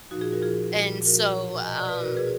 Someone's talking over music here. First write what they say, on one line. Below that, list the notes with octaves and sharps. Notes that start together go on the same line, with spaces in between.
And so, um,
A#2 F3 D#4 F#4
F4 G#4
F#4 A#4
A#2 F3 F4 G#4
A#2 F3
A#2 F3 F#4 A#4
B2
B2 D#5
D5
B4
B2 F#4 A#4
G#4 B4